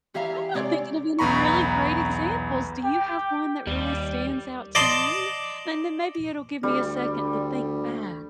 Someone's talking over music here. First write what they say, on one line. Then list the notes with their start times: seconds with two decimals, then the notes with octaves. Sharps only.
I'm not thinking of any really great examples. Do you have one that really stands out to you? And then maybe it'll give me a second to think back.
0.14 E3 G4 G#4 E5 F5 A#5
0.54 C3 G#3 G4 C#5 D5
1.19 B1 E2 B3 A#5 B5 C#6
2.84 G4 G5
3.67 D#2 G3
4.75 D5 D#5 A5 C6
6.63 D2 D3 G3